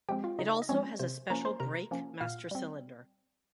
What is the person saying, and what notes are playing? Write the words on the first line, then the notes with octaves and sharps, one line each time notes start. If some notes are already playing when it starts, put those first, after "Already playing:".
It also has a special brake master cylinder.
F3 G#3 C4 G4 G5
F4 F5
C#3 D#4 D#5
D#5
F3 G#3 C4 C#4 C#5
C3 C5
F3 A#3 C#4 A#4 A#5
C5 C6
C3 A#4 A#5
F3 A#3 C#4
A#2 F5 F6
G3 C4